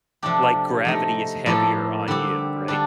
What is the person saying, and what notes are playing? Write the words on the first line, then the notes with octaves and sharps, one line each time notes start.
Like gravity is heavier on you. Right?
C3 F3 A3 D4 G4
F3 A3 D#4
A2 F3 A#3 F4 A4
D3 G3 C4 G4
D3 G3 D4 F4